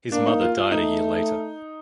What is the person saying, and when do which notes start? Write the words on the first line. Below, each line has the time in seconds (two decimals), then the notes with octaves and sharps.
His mother died a year later.
0.12 A#3 D4
0.27 D#4
0.41 F4
0.57 F4
0.72 A3 D#4